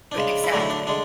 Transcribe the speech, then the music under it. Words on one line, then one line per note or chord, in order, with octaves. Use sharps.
But exactly.
D4
C#3 G#3
E4
D3 F#3 A3 D4
E4
D4
D3 G#3 D4